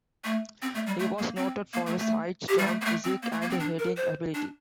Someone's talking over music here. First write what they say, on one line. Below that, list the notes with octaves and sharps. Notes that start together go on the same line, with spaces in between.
He was noted for his height, strong physique, and heading ability.
A3
C4
A3
G3
A3
A#3
C4
A#3
A3
A3
G4
G3
A3
A#3
A3
C4
A#3
A3
A#3
C4
D4
A#4
C5
D4